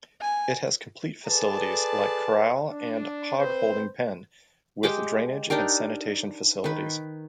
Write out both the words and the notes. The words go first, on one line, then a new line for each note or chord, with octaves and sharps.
It has complete facilities like corral and hog-holding pen with drainage and sanitation facilities.
G#5
G#4 A4 B4 D5 A5
D4
C4 B4 C5
G#3 G4 G5 D6
D4 D#4 G4 A#4
D#3 B4